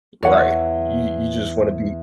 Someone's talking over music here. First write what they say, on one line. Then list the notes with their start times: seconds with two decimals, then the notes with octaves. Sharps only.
Right, you you just wanna be
0.23 E2 C#5 F#5